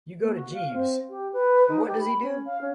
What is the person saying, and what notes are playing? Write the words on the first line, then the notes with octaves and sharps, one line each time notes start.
You go to Jeeves, and what does he do?
A#3
F#4
F5
C4
G4
B4
D#4
G4
B5
C#4
F5
C#4